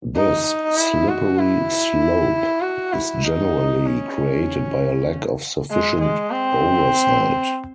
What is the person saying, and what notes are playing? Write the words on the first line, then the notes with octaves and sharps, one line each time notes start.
This slippery slope is generally created by a lack of sufficient oversight.
D#4
E4
F#4
E4
F#4
E4
D#4
C#4
G#3
G#3
C4